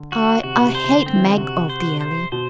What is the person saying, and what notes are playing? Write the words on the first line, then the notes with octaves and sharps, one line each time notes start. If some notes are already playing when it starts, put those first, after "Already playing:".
I--I hate Mag of the Alley.
Already playing: D3
F#4
C3 F#4
B2
C3
C5
C3
D3
C4
E3
D3
C3 F#4
C5
C5
B2 C5